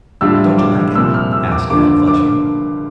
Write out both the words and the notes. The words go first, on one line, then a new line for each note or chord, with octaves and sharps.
"Don't you like it?" asked Ned, flushing.
A2 G3 D4 F4 E6
D6
C2 A#2 F3 E6
F6
E6
D6
G2 D3 F3 A#3 F4 D6
D6